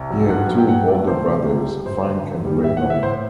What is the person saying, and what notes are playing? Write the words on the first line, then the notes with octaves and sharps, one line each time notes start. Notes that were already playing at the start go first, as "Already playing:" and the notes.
He had two older brothers, Frank and Raymond.
Already playing: C2
F#3
G2 F#5
F#3
G5
G2 F#5
A3 D5
C2 C5
C3
C2
G3
F#2 C5
D3
F#2
G3
A2 E5
F#5
E3
E5
A2 C5